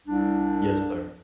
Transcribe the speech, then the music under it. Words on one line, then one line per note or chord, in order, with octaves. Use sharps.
Yes, sir.
C2 D4